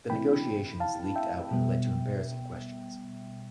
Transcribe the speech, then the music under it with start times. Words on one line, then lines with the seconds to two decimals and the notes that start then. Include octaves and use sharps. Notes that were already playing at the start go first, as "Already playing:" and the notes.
The negotiations leaked out and led to embarrassing questions.
0.10 C3 E3 A3 C4 E4 G5 B5
0.80 F5 A5
1.16 E5 G5
1.51 B2 G3 B3